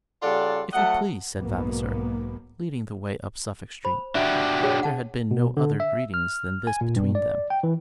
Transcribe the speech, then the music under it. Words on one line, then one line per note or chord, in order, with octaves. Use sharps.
"If you please," said Vavasor, leading the way up Suffolk Street. There had been no other greeting than this between them.
C#3 G3 F4 A4 D5 F#5
F#3 A3 D#5 F#5
B1 G#2 B2 A#3 B3
C5 B5
D4 F#4 G4 E5
G#4 C#5 G5
F#5 A5
B2
D3
E5
F6
G#5
A#2
G2
D5
G5
E3